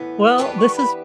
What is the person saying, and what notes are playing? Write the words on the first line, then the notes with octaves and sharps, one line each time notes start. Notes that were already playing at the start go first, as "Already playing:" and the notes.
Well, this has
Already playing: A2 E3 B3
E3 B3 D4 G4 B4 G5
C#6
B5